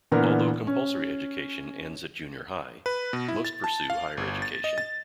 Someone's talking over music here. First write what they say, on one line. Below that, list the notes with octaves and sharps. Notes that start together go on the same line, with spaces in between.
Although compulsory education ends at junior high, most pursue higher education.
A#2 D3 E3 B3 A#4
C#4
B4
B2
E4
A6
A5
F5
G1
A6
D#5
A6